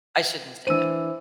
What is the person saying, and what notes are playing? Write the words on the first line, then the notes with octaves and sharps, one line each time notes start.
I shouldn't say no.
E3 D4 C5 E6 D#7